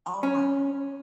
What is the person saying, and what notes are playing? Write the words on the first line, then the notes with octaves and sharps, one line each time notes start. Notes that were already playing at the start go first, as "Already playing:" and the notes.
Oh my
C#4